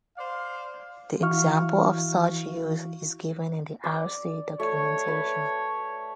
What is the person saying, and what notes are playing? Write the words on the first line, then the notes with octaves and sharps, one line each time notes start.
The example of such use is given in the rc documentation.
C5 D5 F5
E3 E4 F#4 F5 C#6 F6
D5
A3 C#5
B4